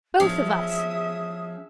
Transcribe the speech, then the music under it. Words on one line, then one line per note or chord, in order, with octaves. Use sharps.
"Both of us!"
F3 C#4 G#4 E5 D#6